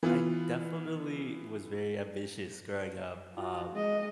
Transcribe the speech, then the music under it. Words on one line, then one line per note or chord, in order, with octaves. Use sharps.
I definitely was very ambitious growing up, um,
E3 B3 F4
F4 F#4
G#3 D#5